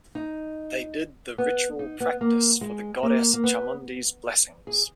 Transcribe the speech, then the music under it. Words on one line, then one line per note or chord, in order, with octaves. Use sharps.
They did the Ritual practice for the Goddess Chamundi's blessings.
D#4
B3
D#4
B3
A#3
G#3
A#3
A#3
B3
G#4